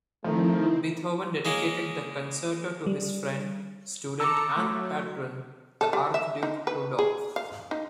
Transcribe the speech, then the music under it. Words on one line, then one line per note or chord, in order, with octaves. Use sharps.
Beethoven dedicated the concerto to his friend, student, and patron, the Archduke Rudolph.
D#3 F3 A3 C4 D#4 E4
G#3 A#3 C#4
G3
A4 A#5 D6 E6 C#7
F#3 A3
A4
G3
E5
D#4
B4
G#4
F5
D#4